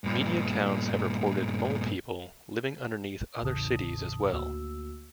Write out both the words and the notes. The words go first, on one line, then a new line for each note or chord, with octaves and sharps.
Media accounts have reported "mole people" living underneath other cities as well.
G2 A#2
A1 E2 A2 C#3 A5 D#6
D2 A#3 F#4 E6